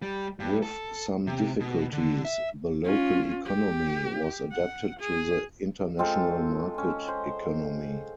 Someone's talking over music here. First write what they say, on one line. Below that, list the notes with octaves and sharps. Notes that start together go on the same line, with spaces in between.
With some difficulties, the local economy was adapted to the international market economy.
G3
G2
A4
C3
B2
D3
E5
C#4 F4
G4
F#5
G#4
G#3 C4 F4 A4
C#4 F4
C5